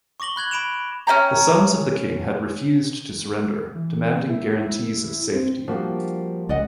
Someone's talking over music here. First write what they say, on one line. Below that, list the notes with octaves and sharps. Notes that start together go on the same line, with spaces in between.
The sons of the king had refused to surrender, demanding guarantees of safety.
C#6 D6 A#6 F#7 G7
B5 F#6 G#6 F#7
B5 D7 E7 F7
C#4 D#5 G5 A#5
E3
E4
C4
F3 G3 A#3 D4 F#4
C#2 D5 D#5 F#5